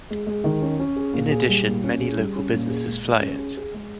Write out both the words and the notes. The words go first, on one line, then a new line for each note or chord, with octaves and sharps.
In addition, many local businesses fly it.
G#3
G#3
D#3
C#4
C#4
G#4
A#2
G#4
G3
A#2
C#4
G#4
G3
C#4
A#2
G#4
G#3
G#3
C#4
G#4
G#4
G#3